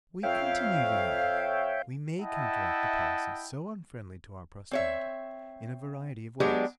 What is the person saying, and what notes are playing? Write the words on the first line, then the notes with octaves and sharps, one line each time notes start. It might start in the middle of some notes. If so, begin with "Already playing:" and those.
If we continue united, we may counteract a policy so unfriendly to our prosperity in a variety of ways.
F2 C#5 E5 F5 G5
E4 D#5 E5 F#5 G5 A5
C4 C#5 E5
F#3 G#3 B3 D4 G4